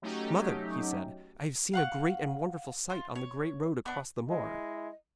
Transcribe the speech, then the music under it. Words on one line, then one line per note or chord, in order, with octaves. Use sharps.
'Mother,' he said, 'I have seen a great and wonderful sight on the great road across the moor.'
F#3 A3 C#4 D#4 G4
F5 F#5 C#6
F4
C#5
B3 D4
G#3 E4 D#5